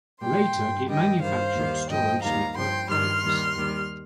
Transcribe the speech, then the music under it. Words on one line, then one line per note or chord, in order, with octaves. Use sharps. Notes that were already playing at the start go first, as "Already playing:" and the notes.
Later it manufactured storage network products.
A#2 G3 G5 C6
G2 G3
G2 D#3 G3 D#5 G5
G2 D#3 G3 C5 F5
D#2 D#3 G3
G2 F3 D#5 G5
D#2 D#3 G3 F5 A#5
G2 F3 G5 C6
G2 D#3 G3 C6 F6
D#2 D#3 G3
D#2 D#3 G3